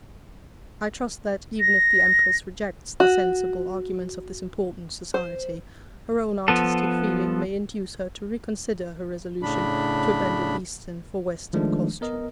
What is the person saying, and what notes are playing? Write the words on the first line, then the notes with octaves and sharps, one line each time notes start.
I trust that, even if the Empress rejects the sensible arguments of this important Society, her own artistic feeling may induce her to reconsider her resolution to abandon Eastern for Western costume.
A#6
F#4
C5
F3 B3 A4
A2 C#3 D4 B5
D#3 F3 G#3 A3 D4
B3 A#4 D#5